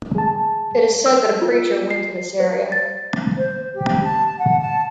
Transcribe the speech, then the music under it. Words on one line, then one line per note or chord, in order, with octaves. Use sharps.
It is said that a preacher went to this area.
G#4 A5
E6
F4
C7
C5
A6
C5
G4
A5
F#5
A5